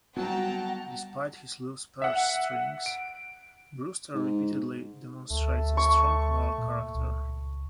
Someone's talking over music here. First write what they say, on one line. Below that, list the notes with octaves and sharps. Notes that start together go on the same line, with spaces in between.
Despite his loose purse strings, Brewster repeatedly demonstrates a strong moral character.
F#3 G3 B3 F#5 G5 A5 A#5
E5 F#5
D7
G#2
D2 A3
C#6
A#2
C#2